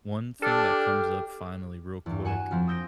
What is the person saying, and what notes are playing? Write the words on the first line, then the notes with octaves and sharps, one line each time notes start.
one thing that comes up finally real quick
D4 G4 A4 F6
E2 G2
F#4 F#5 G#5 D#7 E7
F2 F3 C4
D#6 E6 G6 A#6 D7